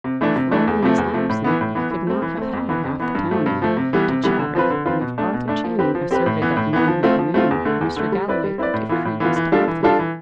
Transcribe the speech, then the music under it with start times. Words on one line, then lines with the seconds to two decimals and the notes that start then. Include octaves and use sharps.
If Roland was absent, he could not have had half the town in, to chatter; and if Arthur Channing asserted that none had been in, Mr. Galloway could give credence to Arthur.
0.04 C3
0.21 E3 A3 D4
0.36 C3
0.51 E3 A3 D4
0.67 E2
0.83 C3 F3 A3
0.98 E2
1.13 C3 F3 A3
1.29 A2
1.44 E3 B3
1.61 A2
1.75 E3 B3
1.91 E3
2.07 A3 C4
2.22 E3
2.37 A3 C4
2.53 F2
2.69 E3 B3
2.84 F2
2.99 E3 B3
3.15 G2
3.31 F3 A3
3.46 G2
3.62 F3 A3
3.77 C3
3.93 E3 G3 B3
4.09 C3
4.23 E3 G3 B3
4.39 D3
4.55 F3 C4 F4 B4
4.70 D3
4.86 F3 C4 F4 B4
5.01 B2
5.18 A3 D4
5.33 B2
5.48 A3 D4
5.64 F3
5.79 C4 G4 B4
5.95 F3
6.11 C4 G4 B4
6.26 A2
6.42 E3 B3
6.57 A2
6.73 E3 B3
6.88 F3
7.03 A3 C4 F4
7.19 F3
7.34 A3 C4 F4
7.51 E2
7.65 D3 A3
7.81 E2
7.96 D3 A3
8.12 G3
8.28 C4 E4 B4 D5
8.44 G3
8.58 C4 E4 B4 D5
8.74 A2
8.89 E3 B3 F4
9.05 A2
9.20 E3 B3 F4
9.36 E3
9.52 G3 D4 F4 A4
9.68 E3
9.83 G3 D4 F4 A4
9.99 E3